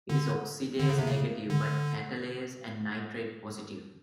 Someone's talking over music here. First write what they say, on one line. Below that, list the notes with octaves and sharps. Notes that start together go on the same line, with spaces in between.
It is oxidase-negative but catalase- and nitrate-positive.
D3
D3
C#3
C3
C#3
D3